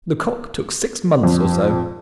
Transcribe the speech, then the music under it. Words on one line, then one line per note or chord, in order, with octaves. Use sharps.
Lecoq took six months or so.
F2